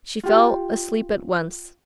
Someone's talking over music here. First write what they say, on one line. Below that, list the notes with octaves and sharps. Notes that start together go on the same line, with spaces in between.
She fell asleep at once.
F4 G4